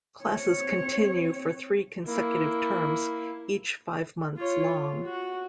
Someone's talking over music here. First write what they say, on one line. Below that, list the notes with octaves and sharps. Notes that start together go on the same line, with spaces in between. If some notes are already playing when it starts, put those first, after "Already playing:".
Classes continue for three consecutive terms, each five months long.
C4 C#5
A#3 E4
F4 C#5
F4
F#4